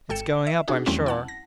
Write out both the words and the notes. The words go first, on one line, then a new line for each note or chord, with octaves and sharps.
"It's going up; I'm sure."
G#1 A4 G5 C#7 E7
E5
D4 D#4 F#4 G#4
E2 E3 G3 A3 C4 C#4
E4 F#5 A5
A#6